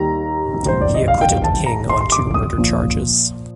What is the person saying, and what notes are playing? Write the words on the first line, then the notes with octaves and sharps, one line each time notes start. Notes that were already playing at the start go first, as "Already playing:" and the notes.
He acquitted King on two murder charges.
Already playing: D#2 D#3 G3 A#5
C5
D5
D#5
F5
G5
A5
A#5
C6
C6
D6
D#6
A#2 F3